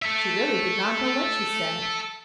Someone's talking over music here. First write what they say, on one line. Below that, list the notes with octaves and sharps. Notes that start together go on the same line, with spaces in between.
She really did not know what she said.
A4 E5